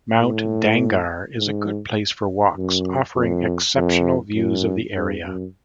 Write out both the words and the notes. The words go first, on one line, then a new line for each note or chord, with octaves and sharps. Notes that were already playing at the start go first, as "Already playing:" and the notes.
Mount Dangar is a good place for walks, offering exceptional views of the area.
A2
G#2
F#2
F2
F2
F#2
G2
F#2